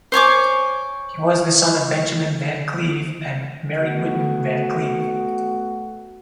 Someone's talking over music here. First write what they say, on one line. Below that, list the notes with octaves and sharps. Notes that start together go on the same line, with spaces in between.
He was the son of Benjamin Van Cleve and Mary Whitten Van Cleve.
C5 C#5 G#5 D6
A3 B3 F#4